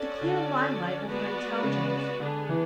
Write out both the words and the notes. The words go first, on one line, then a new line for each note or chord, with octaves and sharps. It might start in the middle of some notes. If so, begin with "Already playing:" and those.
The clear limelight of her intelligence!
Already playing: C#4 F#4 A4 D5
D3
G#3 B3 F#4 B4 D5
C#3
D3 B3 D4 G#4
E3